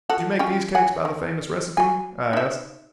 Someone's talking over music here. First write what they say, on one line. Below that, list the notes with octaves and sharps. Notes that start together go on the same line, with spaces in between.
"Did you make these cakes by the famous recipe?" I asked.
F3 F#4 A4
C#4 F4 G5
F#5 G#5
D#3
F#3 G#5
D#4 E5